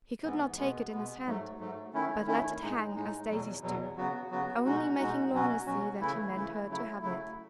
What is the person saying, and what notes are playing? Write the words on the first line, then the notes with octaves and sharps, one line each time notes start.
He could not take it in his hand, but let it hang, as daisies do; only making Lorna see that he meant her to have it.
G#2 E3 B3
B2 G#3 B3
B2 G#3 B3
G#2 F#3 A3
G#2 F#3 A3
D#3 A3 C#4 E4
D#3 A3 C#4 E4
A2 G#3 D#4
A2 G#3 D#4
E2 B2 F#3
E2 B2 F#3
C#3 F#3 B3 F#4
C#3 F#3 B3 F#4
B2 G#3 D#4 F#4
B2 G#3 D#4 F#4
B2 F#3 C#4 F#4
B2 F#3 C#4 F#4
C#3 E3 A3 E4
C#3 E3 A3 E4
C#3 F#3 A3 E4
C#3 F#3 A3 E4